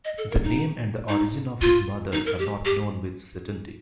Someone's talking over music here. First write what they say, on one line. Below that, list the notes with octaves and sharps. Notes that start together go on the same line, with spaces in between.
The name and the origin of his mother are not known with certainty.
D#5
A4
A#4
D#4
D#4
F4
D#4
A#4
G4
G4